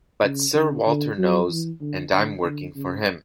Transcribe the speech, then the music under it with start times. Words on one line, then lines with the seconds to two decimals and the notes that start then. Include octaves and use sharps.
But Sir Walter knows, and I’m working for him.
0.23 C#3
0.55 D3
0.87 D3
1.18 F#3
1.49 E3
1.81 D3
2.12 D3
2.44 D3
2.76 C#3